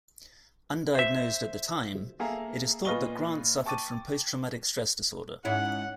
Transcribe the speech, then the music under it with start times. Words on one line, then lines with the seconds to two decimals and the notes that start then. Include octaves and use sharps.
Undiagnosed at the time, it is thought that Grant suffered from post-traumatic stress disorder.
0.95 C5 E5
2.19 A#3 G#4 A4 E5 F5 A#5
2.85 A#2 F4 B4 D#5 C#6 G7
3.66 G5 A5 C#6 D6 A6 D#7
5.45 G#2 C#4 E4 F#5